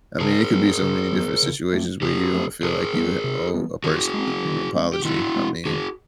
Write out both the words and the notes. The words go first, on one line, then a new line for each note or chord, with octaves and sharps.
I mean, it could be so many different situations where you don't feel like you, eh, owe a person an apology. I mean,
C#3 G#4 A#4
F#3 B3
C#3
F#3 B3
C#3
F3 A3 C4
C#3 G4 A4
F3 A3 C4
C3 G#4 A#4
E3 G3 B3
C3
E3 G3 B3
D#3 F#4 G#4
G#3
C4
D#3
G#3 C4
G4
D#3 E4 F#4
G#3 C4
D#3 F#4 G#4